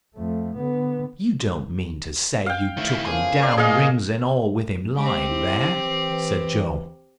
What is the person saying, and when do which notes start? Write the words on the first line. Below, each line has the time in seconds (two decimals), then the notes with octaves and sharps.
"You don't mean to say you took 'em down, rings and all, with him lying there?" said Joe.
0.15 F2 A3
0.56 D3 B3
2.46 F5 G5
2.77 A2 D#3 E4
3.06 C#3 F3 A#3 G#4
3.43 D5
3.57 A#2 F3 C#4 G#4 D#5 F5
4.98 G#3 C4 G4
5.29 E4
5.80 E3
6.10 E3